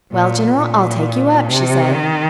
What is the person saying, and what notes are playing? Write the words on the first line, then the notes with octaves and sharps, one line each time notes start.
"Well, general, I'll take you up," she said.
A#2
A#2
C3
D#3